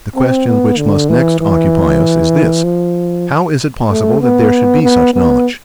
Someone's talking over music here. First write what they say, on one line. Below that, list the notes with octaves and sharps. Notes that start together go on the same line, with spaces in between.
The question which must next occupy us is this: How is it possible that there should be such knowledge?
C4
B3
D3
E3
E3
F3
A3
B3
B3
B3